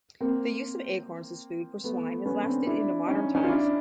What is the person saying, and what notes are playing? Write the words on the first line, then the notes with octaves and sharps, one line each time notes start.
The use of acorns as food for swine has lasted into modern times.
A#3 C4
A3 B3
B3 C#4
C4 D4
D4 E4
C#4 D#4
C#4 D#4
F4
D4 E4